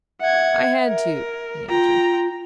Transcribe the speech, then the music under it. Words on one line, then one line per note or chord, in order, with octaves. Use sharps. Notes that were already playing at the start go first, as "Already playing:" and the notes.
"I had to," he answered.
E5 F#5 G#6
A#4
F4 G5 A#5